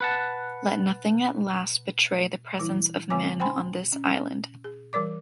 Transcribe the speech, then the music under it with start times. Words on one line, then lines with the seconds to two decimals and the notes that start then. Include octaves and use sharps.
Let nothing at last betray the presence of men on this island!
0.01 B4 F#5 A5
2.59 E3 G3 E4
3.10 D3 G#3 C4 C#5 G#5 D6
3.40 C5 G5 G#5 B5 C6
3.92 C#4
4.64 G#4
4.93 E3 G3 A#4 D5 D6